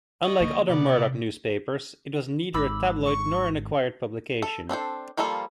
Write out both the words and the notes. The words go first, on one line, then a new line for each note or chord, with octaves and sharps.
Unlike other Murdoch newspapers, it was neither a tabloid nor an acquired publication.
D#5 C#6
D3 A#3
C3 B3 D5
G#1 G#2 B5 D6 E6
C#6
A4
C4 D4 A4 C5
F3 G3 A#3 F4 A4